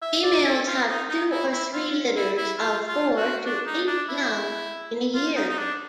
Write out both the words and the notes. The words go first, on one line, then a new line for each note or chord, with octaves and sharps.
Females have two or three litters of four to eight young in a year.
E5
D5
A4
F4
D#4
D#4
E4
E4
F4
E4
E4
F4
F4
F#4
D4
D#4
D4
E4
F4
D#4
D#4
D4